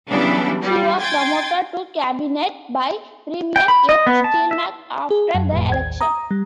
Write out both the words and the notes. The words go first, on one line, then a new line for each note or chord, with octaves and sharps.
She was promoted to cabinet by Premier Ed Stelmach after the election.
C#3 E3 F#3 G3 B3 D4
G3
G5 G#5 C6 G#6 A6
G5
B5
D#5
B3
A5
E5
G#4
F#2
G#1 F2 A2
A1 D#2 G#6
A#5 D#6
G3